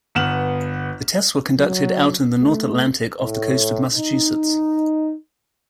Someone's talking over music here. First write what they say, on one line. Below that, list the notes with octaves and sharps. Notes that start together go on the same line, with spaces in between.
The tests were conducted out in the North Atlantic off the coast of Massachusetts.
G1 B3 F#5 F6 E7 F#7
F#3
A3
A2
D#4